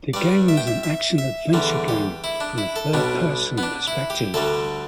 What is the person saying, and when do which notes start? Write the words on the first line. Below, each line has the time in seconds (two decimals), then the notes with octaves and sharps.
The game is an action-adventure game from a third-person perspective.
0.13 G2 G3 D5
0.48 E5
0.57 G5
0.67 E5
0.83 E5
1.18 E5
1.53 E2 D3 G3
1.88 G4
2.24 E4
2.40 D4
2.58 E4
2.76 A4
2.93 B1 B2 G3 D4
3.58 B3
3.63 D4
3.87 E4
4.10 G4
4.34 D2 D3 G3 A4